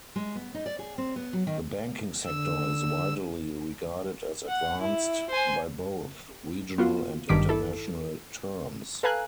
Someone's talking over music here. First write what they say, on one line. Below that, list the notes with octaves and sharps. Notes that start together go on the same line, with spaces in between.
The banking sector is widely regarded as advanced by both regional and international terms.
G#3
B3
D#4
D5
G#4
C4
B3
F#3
D#3
D3 E6
F#5
E4
C5 G#5
B3 F4 F#4
G#1 G2 D#3 D6 B6 D7
E4 A4
A4 B4 F5 G#5 A#5 F#6